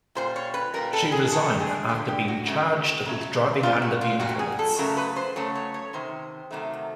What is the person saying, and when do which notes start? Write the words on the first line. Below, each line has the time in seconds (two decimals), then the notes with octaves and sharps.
She resigned after being charged with driving under the influence.
0.15 A#2 G3 C5
0.36 C#5
0.54 B4
0.74 A#2 G3 A#4
0.93 A4
1.12 G#4
1.31 D3 G3 A4
1.60 G#4
1.89 D3 G3 G4
2.08 G4
2.28 F#4
2.47 C#3 F#3 A3
3.05 C#3 F#3 A3
3.63 A#2 G3 F4
3.82 F#4
4.01 F4
4.20 A#2 G3 F#4
4.39 G#4
4.59 A4
4.78 C#3 F#3 A3 A#4
4.97 B4
5.16 C5
5.36 C#3 F#3 A3 C#5
5.55 C#5
5.74 C#5
5.93 C3 D#3 C5
6.51 C3 D#3 F#3 A3